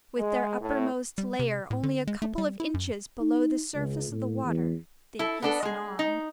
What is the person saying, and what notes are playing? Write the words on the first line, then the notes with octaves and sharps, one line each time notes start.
With their uppermost layer only a couple of inches below the surface of the water they hasten on.
G#3
A2
G3
C3
A2
D3
G#3
A3
G3
E4
F#2
D#4
C#2
A2
E2
E4 A4
B3 D4 A4
G#3 G#4
D#4